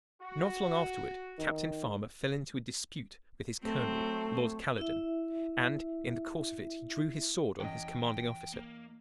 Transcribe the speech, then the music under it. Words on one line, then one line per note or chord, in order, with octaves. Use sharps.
Not long afterward Captain Farmer fell into a dispute with his colonel, Lord Caledon, and in the course of it he drew his sword on his commanding officer.
F#4
D#3
F#3 A3 C4
E4 E5
E2 C#4 D#5 G5
A#3